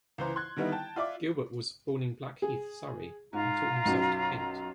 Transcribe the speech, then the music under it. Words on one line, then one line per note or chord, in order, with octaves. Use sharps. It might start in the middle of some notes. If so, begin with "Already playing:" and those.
Gilbert was born in Blackheath, Surrey, and taught himself to paint.
C#2 E3 C5 A#5
C6 F#6 G#6
D3 D#3 G3 B3 D#4 E4
G5 A5
F4 D5 E5 D6
G#4
G#2 F4 A#5
B1 F#2